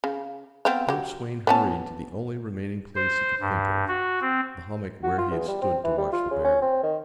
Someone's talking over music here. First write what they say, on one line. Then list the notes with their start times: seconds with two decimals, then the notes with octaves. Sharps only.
The boatswain hurried to the only remaining place he could think of, the hummock where he had stood to watch the bear.
0.04 C#3
0.65 B3 C4 F5
0.88 F#3 G4
1.47 B3 C#4 A5
2.95 C5
3.41 G2
3.88 F#4
4.21 C4
5.03 F#4
5.18 F4
5.31 E2
5.48 G3
5.62 C4
5.84 E3
5.98 G3
6.13 F4
6.31 C#3
6.44 C#4
6.62 C4
6.83 D#3